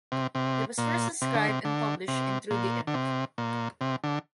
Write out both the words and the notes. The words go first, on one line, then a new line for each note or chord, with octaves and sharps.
It was first described and published in Trudy Imp.
C3
C3
A#2
C3
D3
C3
D3
C3
A#2
D3
C3
A#2
C3
D3